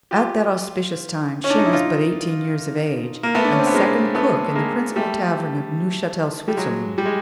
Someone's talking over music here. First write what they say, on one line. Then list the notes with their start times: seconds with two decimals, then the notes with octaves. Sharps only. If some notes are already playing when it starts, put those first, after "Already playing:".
At that auspicious time, she was but eighteen years of age, and second cook in the principal tavern of Neuchatel, Switzerland.
0.11 F4 G4
1.44 C#4
1.50 D4
1.58 D#4
1.65 E4
1.73 D#4 F4
3.23 A#3
3.35 A3 B3
3.44 D4
3.52 C#4
3.59 C4
3.67 B3
3.74 G#3 A#3
4.15 A3 B3
4.55 G#3 A#3
4.96 G3 A3
6.48 G3
6.57 F#3 G#3
6.98 G3
7.06 G#3